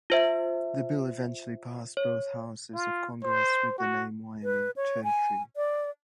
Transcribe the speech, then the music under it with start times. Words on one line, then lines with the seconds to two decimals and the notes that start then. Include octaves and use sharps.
The bill eventually passed both houses of Congress with the name "Wyoming Territory".
0.10 F4 C5 E5
1.97 C#5
2.74 F4
3.23 C5
3.78 F#4
4.44 B4
4.76 C#5
5.04 G#5
5.56 D5